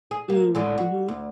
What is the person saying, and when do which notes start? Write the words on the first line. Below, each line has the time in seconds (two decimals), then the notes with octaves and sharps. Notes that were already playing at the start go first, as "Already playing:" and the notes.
Mm, mhm.
0.11 G#4
0.30 A#3
0.55 A2 D3 G#3
0.78 F#4
1.08 D2